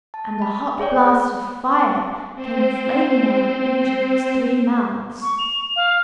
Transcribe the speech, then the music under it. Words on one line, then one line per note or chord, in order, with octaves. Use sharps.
And a hot blast of fire came flaming out of each of its three mouths!
A5
B5
G#4 C#5 D5 G5
C4 C5
C#6
F7
F5